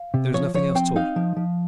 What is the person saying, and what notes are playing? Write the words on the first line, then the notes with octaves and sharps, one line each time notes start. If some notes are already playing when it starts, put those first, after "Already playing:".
There is nothing else taught.
Already playing: F5
C3
F3 C#5
F3 C#5
C4 G5
D#4 F5
F3
F3